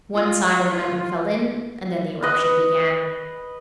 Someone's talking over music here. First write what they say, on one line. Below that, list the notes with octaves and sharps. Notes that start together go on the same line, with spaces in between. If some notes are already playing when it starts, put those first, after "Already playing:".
One side of the mountain fell in, and then the eruption began.
F4
F4
B4 D#5